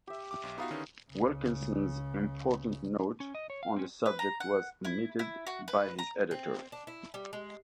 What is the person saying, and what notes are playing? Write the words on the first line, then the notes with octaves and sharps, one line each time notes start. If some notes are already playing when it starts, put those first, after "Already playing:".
Wilkinson's important note on the subject was omitted by his editor.
G4 E5
D6
B1 D6
B3 D#4 F4 F#4 B4 F5
D3 D#3 C#4 D#4
C#2 C#3
C#4
D#5
C#5
F5
C4 C#4
B4
A#5
F#5
E4
E4
F#4
B4
A#5
C4
D4
E4
G3
G#3